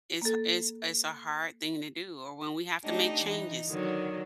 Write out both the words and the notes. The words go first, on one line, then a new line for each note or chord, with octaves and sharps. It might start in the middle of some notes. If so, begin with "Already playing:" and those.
It's it's It's a hard thing to do or when we have to make changes.
A#3 A4
A3 D4 D#4 G4
E3 D#4
D3 D#3 F#3